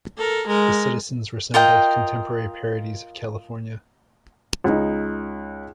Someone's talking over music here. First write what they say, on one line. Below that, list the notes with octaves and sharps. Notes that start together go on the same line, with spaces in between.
The citizens resembled contemporary parodies of California.
A4 A#4
G#3 A#4
F4 A#4 D#5 G5
C#2 D#4